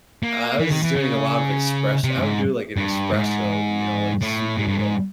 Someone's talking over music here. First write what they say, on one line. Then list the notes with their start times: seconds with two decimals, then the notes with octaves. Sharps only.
I I was doing a lot of express I would do, like, an espresso, you know, like, super, like,
0.23 A#3
0.60 E3
0.71 D#3
0.83 E3
0.96 C#3
2.04 C3
2.18 G2
2.22 G#2
2.77 G2
3.13 G#2
4.22 A2
4.57 G#2
4.68 G2
4.78 G#2